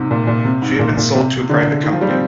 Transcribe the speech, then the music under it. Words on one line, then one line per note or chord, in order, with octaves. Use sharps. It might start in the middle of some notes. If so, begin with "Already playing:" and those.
She has been sold to a private company.
Already playing: G#2 C3
A#2
A#2
C3
G#2
A#2
A#2
C3
D3
D#3
F3
G3
C4